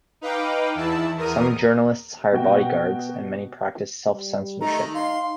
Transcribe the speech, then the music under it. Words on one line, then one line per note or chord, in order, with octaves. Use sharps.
Some journalists hire bodyguards, and many practice self-censorship.
D#4 B4 F5 G5 D6
E2 E4 A5 E6
E2 A#4 D#6
B2 F#4 G5
G3
D#3 A3 D#4 A#5
D#4 F5 C6